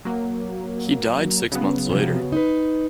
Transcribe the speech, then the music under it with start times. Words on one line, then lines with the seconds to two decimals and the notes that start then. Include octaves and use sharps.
He died six months later.
0.05 F#3 A#3
1.52 C#3 F#3 B3
1.90 C3 F3
2.32 D#4 B4